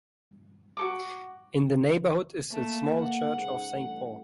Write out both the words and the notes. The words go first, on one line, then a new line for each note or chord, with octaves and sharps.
In the neighbourhood is the small church of Saint Paul.
F#4 A4 D6
A3 A#3
F#5
G#2 C#3
A1 G2 A3